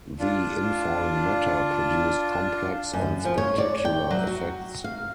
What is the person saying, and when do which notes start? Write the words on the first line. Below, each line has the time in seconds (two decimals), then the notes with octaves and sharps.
The infalling matter produced complex and spectacular effects.
0.19 D4 F4
2.93 F#2
3.25 F3
3.38 C#5
3.58 D5
3.85 G5
4.11 F#3
4.27 F#4
4.84 F5